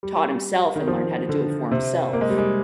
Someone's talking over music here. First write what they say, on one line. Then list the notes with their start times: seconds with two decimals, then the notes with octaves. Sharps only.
taught himself and learned how to do it for himself.
0.03 G3
0.76 D#3
0.87 F3
1.29 D3
1.71 C3
2.13 A#3
2.21 G#3
2.30 G3
2.38 G#3